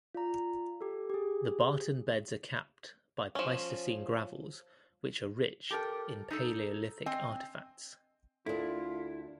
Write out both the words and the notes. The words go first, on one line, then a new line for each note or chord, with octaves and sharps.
The Barton Beds are capped by Pleistocene gravels which are rich in Paleolithic artefacts.
F4 D5 A#5
G4 A4
G4 G#4
F3 C#4
G4 A4 A#4
D#4 A4
C4 D#5 G#5
D2 D4 E4 F4 A4 A#4